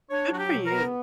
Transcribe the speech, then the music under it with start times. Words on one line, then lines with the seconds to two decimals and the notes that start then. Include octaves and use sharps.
Good for you.
0.10 D4 C#5
0.31 F#3 F#4
0.37 G4
0.51 B2
0.64 A#4
0.71 B3